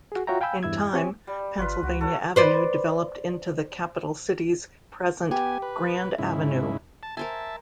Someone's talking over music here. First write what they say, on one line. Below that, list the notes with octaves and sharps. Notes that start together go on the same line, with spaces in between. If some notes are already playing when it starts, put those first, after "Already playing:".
In time, Pennsylvania Avenue developed into the capital city's present "grand avenue".
F#4 G#4
F4 F#4 C#5 E5 G5 A#5
F5 G5 G#5 B5 E6 G6
E2 G2 E4 E6 G#6
C4 G4 C#5 G#5
G3
G#1 F4 B4
C#2 F#4
A4 C#5 F#5
B4 C5 D5
B3 G4 G#5
B4
G#2 C#3 E4
A5
A#4 C5 E5 G#5 A5